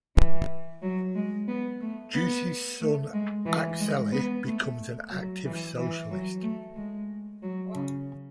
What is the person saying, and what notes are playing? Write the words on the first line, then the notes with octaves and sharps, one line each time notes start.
Jussi's son Akseli becomes an active socialist.
E3
F#3
G#3
B3
A3
B3
A3
G#3
E3
G#3
B3
A3
F#3
E3
E3
F#3
A3
G#3
F#3
C#3